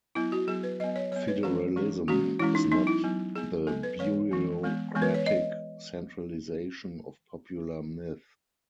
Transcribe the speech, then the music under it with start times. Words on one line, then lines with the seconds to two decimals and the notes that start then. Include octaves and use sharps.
Federalism is not the bureaucratic centralisation of popular myth.
0.15 F#3 B3 E4
0.32 F#4
0.47 F#3 B3 G#4
0.63 B4
0.80 F#3 B3 D#5
0.96 C#5
1.12 F#3 B3 C#5
1.28 B4
1.43 E3 G#3 C#4 G#4
1.76 E3 G#3 C#4
2.08 E3 G#3 C#4 F#4
2.39 E3 G#3 C#4 E4
2.55 D#4
2.72 F#3 B3 D#4
2.87 E4
3.04 F#3 B3
3.35 F#3 B3 G#4
3.67 F#3 B3 A4
3.83 B4
3.99 E3 G#3 B3 C#5
4.31 E3 G#3 B3
4.63 E3 G#3 B3
4.95 E3 G#3 B3
5.02 B4
5.14 C#5
5.26 D#5